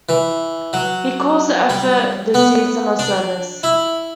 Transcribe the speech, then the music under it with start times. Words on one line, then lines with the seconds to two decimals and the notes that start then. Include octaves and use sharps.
He calls the effort the Season of Service.
0.09 E3
0.73 F#3
1.70 G3
2.34 B3
2.99 D4
3.63 E4